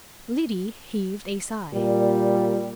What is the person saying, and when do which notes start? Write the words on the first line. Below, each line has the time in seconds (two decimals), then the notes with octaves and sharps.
Liddy heaved a sigh.
1.73 A#2 G3